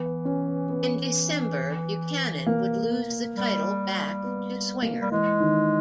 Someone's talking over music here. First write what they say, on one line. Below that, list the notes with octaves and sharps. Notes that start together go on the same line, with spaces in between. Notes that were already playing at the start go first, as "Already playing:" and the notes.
In December, Buchanan would lose the title back to Swinger.
Already playing: E3 B3
C#4
B3
A#3
G3
B3
A#3
G3
E3 G#3
D#3